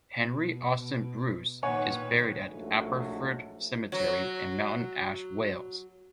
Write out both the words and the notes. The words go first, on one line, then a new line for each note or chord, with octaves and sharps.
Henry Austin Bruce is buried at Aberffrwd Cemetery in Mountain Ash, Wales.
B2
A#2 D#3 B4 C#5 F#5 G#5
A#1 G#2 F#3 A3
F#3 F#4 C#5